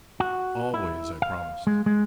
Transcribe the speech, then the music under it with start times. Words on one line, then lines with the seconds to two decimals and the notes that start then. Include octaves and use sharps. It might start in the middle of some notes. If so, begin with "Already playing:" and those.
"Always," I promised.
0.20 F#4
0.74 E4
1.22 F5
1.67 G#3
1.86 G#3